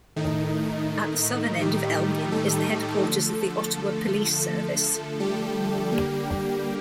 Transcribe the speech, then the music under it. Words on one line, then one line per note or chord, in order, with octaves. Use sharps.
At the southern end of Elgin is the headquarters of the Ottawa Police Service.
A2 D#3 A3 D#4
G3 G4
A3 A4
D3 F3 A3
G3 G4
D3 G3 A#3